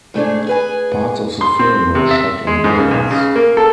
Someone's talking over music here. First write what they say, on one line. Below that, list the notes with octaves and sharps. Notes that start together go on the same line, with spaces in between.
Parts of the film were shot in Wales.
G#2 A3 D4 G#4
G#4 B4 G#5
C6
C4
C3
E5
G#3
G#2
C#3
B1
C#3
A#3
A4